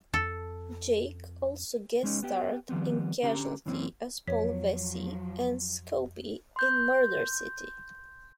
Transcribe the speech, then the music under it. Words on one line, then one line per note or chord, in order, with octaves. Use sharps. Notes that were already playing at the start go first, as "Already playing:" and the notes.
Jake also guest starred in "Casualty" as Paul Vessey and Scobie in "Murder City".
F2 A4
G#3 C#4 D#4
B3 G4
D#3 F3 G3 B3 C4
D3 C#4 G4 A#5
F#2 E3 A#3 C4 C#4
F2 F3 F#3 C#5 B6
C6 G6